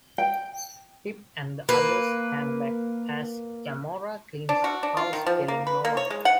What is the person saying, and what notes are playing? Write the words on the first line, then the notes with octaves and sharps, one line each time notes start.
Pip and the others hang back as Gamora cleans house, killing no one.
G5
A#3 B4
D4
F#4
D4
F4
D#3
F3
A#3
B4
A#3
C#5
G#3
F#5